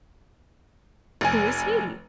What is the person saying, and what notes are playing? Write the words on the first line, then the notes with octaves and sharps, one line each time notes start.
"Who is he?"
F1 G#5